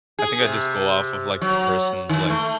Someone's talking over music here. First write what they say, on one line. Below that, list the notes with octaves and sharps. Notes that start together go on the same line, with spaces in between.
I think I just go off of, like, the person's, like,
G#4
C3
F#3
D#3
A3